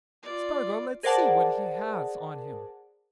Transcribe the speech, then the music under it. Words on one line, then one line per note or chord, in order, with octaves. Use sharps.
"Spargo, let's see what he has on him."
F4 D5
G#4 A#4 C5 D5 F#5 A5